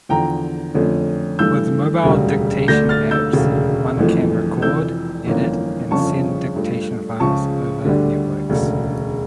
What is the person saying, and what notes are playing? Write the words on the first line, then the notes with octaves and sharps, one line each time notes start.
With mobile dictation apps, one can record, edit, and send dictation files over networks.
E2 D3 F3 G5 A#5
F2 D3 A3 C#4
G2 E3 A3 E6 G6
E1 D2 C#3 G3
D2 D3 A3 D4 G6 A#6
F6 A6
E6 G6
E1 D2 C#3
G1 F2 E3 A3
F1 F2 E3 E6 G6
G1 F2 E3 A#3 C#4
G1 F2 C#3 F3 C#4 A5 C#6
G2 F3 A3
C#2 C#3 F3 A5 C#6
D2 D3 G3 D4
E1 D2 C#3